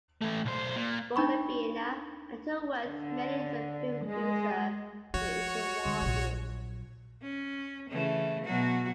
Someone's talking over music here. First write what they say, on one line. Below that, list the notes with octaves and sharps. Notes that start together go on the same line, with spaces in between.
Born in Vienna, Antel worked mainly as a film producer in the interwar years.
E3 A3
B1 C5
A#2
D4 D#4 B5 C#6
D3
G#3
F3 F#4 C#5
D3 G#3
A#1 F#3
C#4
C#3 E3 A3
B2 F#3 F#4